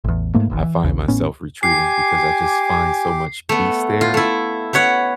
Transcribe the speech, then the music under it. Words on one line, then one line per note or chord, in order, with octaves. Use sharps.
I find myself retreating because I just find so much peace there,
A1 E2
G#2 A3 A#3
E1 A1 D#2
E3
A#1 D#2 C#3
A1 A2 B3 C#4
G4 G#5 D6 C7
A3 B3
F4
A3 E4
B3 B4 C#5 F#5